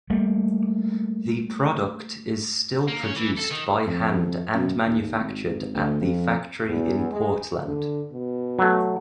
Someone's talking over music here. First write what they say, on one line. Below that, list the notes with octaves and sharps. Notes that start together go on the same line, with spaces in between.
The product is still produced by hand and manufactured at the factory in Portland.
G3 A3 A#3
A#3
C#4
E3
A4
D#3
F2
F#2
D#2
G#1
D2
F2
E2
G#3
D3
B2
F#3 A3